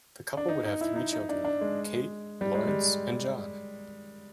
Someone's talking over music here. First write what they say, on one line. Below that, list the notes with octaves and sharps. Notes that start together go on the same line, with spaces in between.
The couple would have three children: Kate, Laurence, and John.
D4
D#4
D#4
E4
D#4
D#4
D4
D4
G#3
G3
G#3
G3